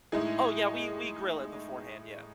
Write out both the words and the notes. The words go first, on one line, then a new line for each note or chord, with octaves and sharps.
Oh, yeah, we we grill it beforehand, yeah.
A2 G#3 D#4 E4 G#4